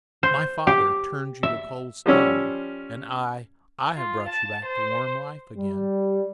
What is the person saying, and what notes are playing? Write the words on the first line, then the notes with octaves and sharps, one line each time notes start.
"My father turned you to cold stone, and I--I have brought you back to warm life again."
C5
G4
E5
F3 G3 C#4 E6
F4
A5
C5
G3